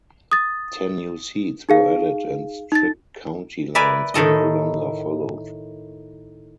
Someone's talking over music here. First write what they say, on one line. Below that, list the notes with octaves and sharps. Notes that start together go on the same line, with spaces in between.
Ten new seats were added and strict county lines were no longer followed.
D#6 A6
D#4 G#4 F5
D#4 A6
A#4 B4 D5 E5 G#5 B5
A2 D#3 A4 D#5